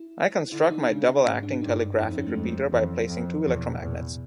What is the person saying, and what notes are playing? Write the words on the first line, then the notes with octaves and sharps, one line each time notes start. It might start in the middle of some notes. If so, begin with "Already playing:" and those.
I construct my double-acting telegraphic repeater by placing two electromagnets.
Already playing: E4
D3 E4
D#4
C#3 D4
G#2 C#4
D4
G2 D#4
F2 E4
D#4
C#4
A3
F2 G#3
G3
F3
F2 E3
F2
E2 E3
B2
A#2
A2
E2 A#2
B2